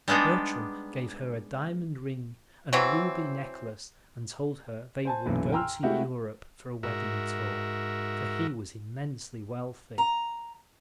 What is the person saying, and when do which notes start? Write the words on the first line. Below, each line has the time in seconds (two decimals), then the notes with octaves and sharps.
Bertram gave her a diamond ring and a ruby necklace and told her they would go to Europe for a wedding tour, for he was immensely wealthy.
0.08 G3 G#3 B3 D4 D#4
2.73 E3 F#3 C4
5.05 C5 G#5 A5
5.26 B1 F#2 A#2 E3
5.52 G5 G#5 A#5 C6 E6 F6
5.83 G#3 A3 C4 E4 F#4 G4
6.83 G#2 F#4 A#4 E5
9.98 A#5